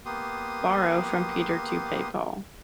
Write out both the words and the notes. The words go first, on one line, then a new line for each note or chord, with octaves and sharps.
Borrow from Peter to pay Paul.
A#3 B3 G4 C6 D#6